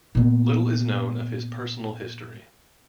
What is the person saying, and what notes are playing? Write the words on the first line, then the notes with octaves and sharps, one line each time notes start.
Little is known of his personal history.
A#2 B3